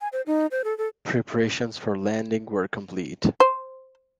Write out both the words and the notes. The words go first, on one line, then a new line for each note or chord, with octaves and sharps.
Preparations for landing were complete.
G#5
C5
D#4
C5
A4
A4
C5